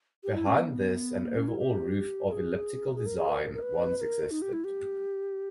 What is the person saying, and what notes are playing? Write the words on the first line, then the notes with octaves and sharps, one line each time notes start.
Behind this an overall roof of elliptical design once existed.
G4
E4
C#4
B3
A#3
C#4
E4
G4
A#4
G#4
G#4
A#4
G#4
B4
A#4
A#4
B4
B4
A#4
D#4
G4
E4
G4